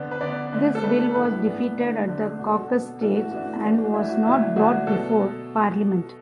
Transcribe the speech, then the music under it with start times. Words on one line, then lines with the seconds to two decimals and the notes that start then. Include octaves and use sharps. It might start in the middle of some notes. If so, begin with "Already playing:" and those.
This bill was defeated at the caucus stage and was not brought before Parliament.
Already playing: D3 B3 D4
0.11 B4
0.21 D3 B3 D4 D5
0.52 D3 A3 D4
0.75 A4
0.83 D3 A3 D4 B4
0.98 B4
1.14 A2 E3 B3 D4 B4
1.45 A2 E3 B3 D4
1.76 D3 A3 D4
2.07 D3 A3 D4
2.38 B2 B3 D4 F#4
2.46 A4
2.55 F#4
2.69 B2 B3 D4
3.01 E3 A3 D4 A4
3.16 F#4
3.32 E3 A3 D4 F#4
3.63 E3 A3 D4
3.84 F#4
3.94 E3 A3 D4 E4
4.09 F#4
4.25 D3 F#3 A3 D4 E4
4.56 D3 F#3 A3 D4 F#4
4.87 B2 A4